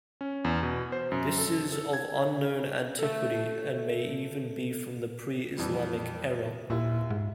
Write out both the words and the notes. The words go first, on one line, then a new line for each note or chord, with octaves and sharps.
This is of unknown antiquity, and may even be from the pre-Islamic era.
C#4
E2
B2
C5
F#2
A4
A4
G#6
A4 E5
F2 E3 G3
D#2 A#2 E4
G#2